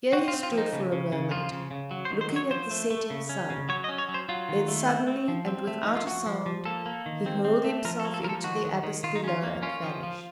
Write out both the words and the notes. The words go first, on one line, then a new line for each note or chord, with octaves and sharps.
Here he stood for a moment looking at the setting sun, then suddenly, and without a sound, he hurled himself into the abyss below and vanished.
C4 F#4
F4
C4
F4
F3
D#4
C#3
C#3
C#3
F3 F4
C#3
C#3
F#3
C5
D#3
C5
F#3
C#5
F3 C5
A3
A3
C#3
C#4
C#3
F#3 C#5
D#5
C#4
C#5
F#3
C5
F#3 F4
D#3
A3
C4
C4
F3
C4
A3
F3 D#4
F4
F3 F#4
F3
F3
A#3 A4
A#3
D#3
C4
C4
A3
F3 A#4
A4
A#3
A4
F3 A#4
A4
D#3 F#4
D#3
D#3
D#3 F4
D#4
C#4 F4
A#3
C#4 F4
F3
F3